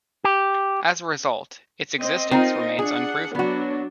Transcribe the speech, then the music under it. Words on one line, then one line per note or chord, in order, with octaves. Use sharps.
As a result, its existence remains unproven.
G4
C4 D#5
C4 D#4 F4 A#4 D#5
D4 G#4 F#5
F#3 B3 D4 F#4